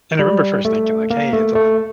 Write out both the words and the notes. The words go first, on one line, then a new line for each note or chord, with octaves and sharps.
and I remember first thinking like, "Hey, it's a"
G3
A3
A#3
A3
A3